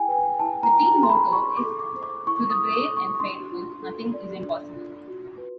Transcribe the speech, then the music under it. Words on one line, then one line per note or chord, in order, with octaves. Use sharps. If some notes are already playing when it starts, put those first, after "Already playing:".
The team motto is To the brave and faithful, nothing is impossible.
Already playing: E4 G#4 G5 G#5
B4
E4 A5
A#5
E4
A#5
G#4 C6
B5
E4 C#6
D6
A4
D6
C5
D6
E4 C#6
D#6
E4
D6
A4
C#6
D4 C6
F4
A4
D5
D4
F4
F#4
B4